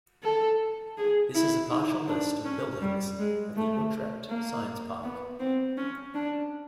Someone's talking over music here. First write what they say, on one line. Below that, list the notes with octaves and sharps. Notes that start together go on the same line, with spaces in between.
This is a partial list of buildings at the Utrecht Science Park.
A4
G#4
E4
D#4
D4
C#4
G3
G#3
A3
A#3
B3
C4
C#4
D4